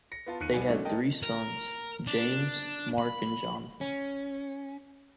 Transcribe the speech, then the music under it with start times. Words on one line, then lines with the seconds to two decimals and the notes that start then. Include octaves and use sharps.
They had three sons: James, Mark and Jonathan.
0.12 A#6 C#7
0.26 B3 F4 A5
0.40 D#2 F#6 C#7 D#7
0.54 C2 B3 D5 G#5
0.67 D#3 F#3 G#3 A3 C#4 D4
0.85 A#4 D#5 G5 A5
1.23 A#4
2.07 D4
2.98 B5
3.81 C#4